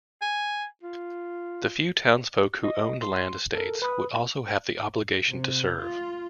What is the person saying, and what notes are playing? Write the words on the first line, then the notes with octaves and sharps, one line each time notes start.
The few townsfolk who owned land estates would also have the obligation to serve.
G#5
F4
D#5
C6
A4 A#4
B4 B5 D#6
C3
F4